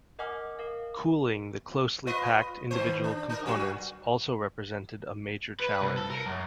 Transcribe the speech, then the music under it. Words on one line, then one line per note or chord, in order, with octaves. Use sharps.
Cooling the closely packed individual components also represented a major challenge.
A#4 D#5 F#5 G#5 D6 F6
A#4 F5
F4 B4 D#5
B2 D#3 C5
D4
D4 A#4
F#3 F#4
B4
C2
A4
A#4
F#2